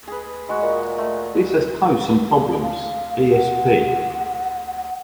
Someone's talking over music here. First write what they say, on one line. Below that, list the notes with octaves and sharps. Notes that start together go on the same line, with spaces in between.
This has posed some problems, esp.
G#4 B4
G#3 F#4
A#2
A3
F5
F#5